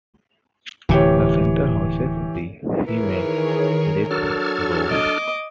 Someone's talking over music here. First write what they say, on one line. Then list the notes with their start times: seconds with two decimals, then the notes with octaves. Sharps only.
The center houses the female death row.
0.89 D1 C3 E3 G4 C#5
2.88 D#3 E3 G#4 A#4 C#5
4.11 F#3 D4 A4 F6 G#6
4.89 D#5 D6